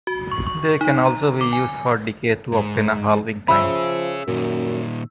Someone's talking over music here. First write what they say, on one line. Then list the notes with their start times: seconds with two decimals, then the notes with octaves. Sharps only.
They can also be used for decay to obtain a halving time.
0.07 F#4
0.31 C#6
0.47 C#6
0.81 D#4
1.05 A#5
1.41 D6
1.53 G#5
2.52 G#2
3.48 F3 C#4 G#4 E5 B5 E6
4.28 F#2 A#2 D#3